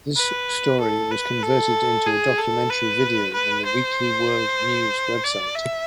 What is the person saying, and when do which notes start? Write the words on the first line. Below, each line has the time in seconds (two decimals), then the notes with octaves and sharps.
This story was converted into a "documentary" video on the Weekly World News website.
0.17 B4
0.81 A4
1.11 B4
1.43 A4
2.07 G#4
2.38 A4
2.70 B4
3.33 B4
3.65 C5
5.24 D5
5.55 E5